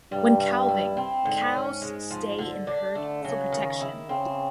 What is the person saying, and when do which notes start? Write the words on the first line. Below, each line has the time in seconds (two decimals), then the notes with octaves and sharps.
When calving, cows stay in the herd for protection.
0.12 G2 G3
0.40 G3
0.68 E4
0.97 C4
1.25 G#2 D3
1.54 C#4
1.82 G#3
2.11 F3
2.39 D3
2.67 D4
2.95 D3 A3
3.23 C#3 F#3
3.52 D#3
3.80 E4
4.09 C#3 C4